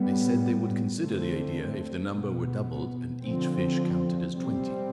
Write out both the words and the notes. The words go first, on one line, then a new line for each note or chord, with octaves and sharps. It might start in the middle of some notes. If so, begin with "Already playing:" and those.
They said they would consider the idea if the number were doubled, and each fish counted as twenty.
Already playing: A2 G3 B3
D3 A3 C4
B2 B3
D3 F3 C4
C3 G3 C4